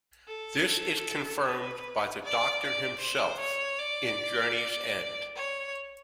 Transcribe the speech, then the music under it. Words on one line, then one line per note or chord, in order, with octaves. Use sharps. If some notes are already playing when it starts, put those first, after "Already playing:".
This is confirmed by The Doctor himself in "Journey's End".
A4
B4
D5
D5
C5
C#5
D5
C#5